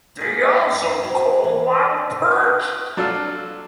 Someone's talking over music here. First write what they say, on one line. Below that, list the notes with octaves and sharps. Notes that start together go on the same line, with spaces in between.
They also call while perched.
A#3 G#4
F#2
C4 E4 F#4
E3
F#3 D4 F4 A4